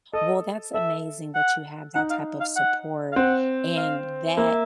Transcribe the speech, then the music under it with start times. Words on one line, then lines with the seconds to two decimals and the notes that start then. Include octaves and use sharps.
Well, that's amazing that you have that type of support, and that
0.13 A4 D#5
0.74 A4 E5
1.35 F#5
1.95 D#4 F#5
2.10 F5
2.40 F5
2.56 F#5
3.12 F5
3.16 C4 F#5
3.77 F5
4.37 A#3 E5